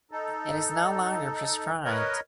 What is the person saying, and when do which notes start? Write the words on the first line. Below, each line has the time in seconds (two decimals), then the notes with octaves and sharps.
It is no longer prescribed.
0.11 D#4 A4
1.85 A#4 B4 C#5 D#5